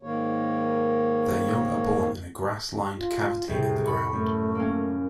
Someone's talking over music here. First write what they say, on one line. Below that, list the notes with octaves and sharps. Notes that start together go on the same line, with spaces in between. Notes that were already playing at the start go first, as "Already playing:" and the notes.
Their young are born in a grass-lined cavity in the ground.
G#2 D#3 A#3 C#5
F4
C2 A2 C3 G#4
B5 C#6
F#2 A3
A#3 C#4